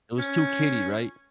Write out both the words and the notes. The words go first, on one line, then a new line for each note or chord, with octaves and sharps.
It was too kiddy, right?
C#4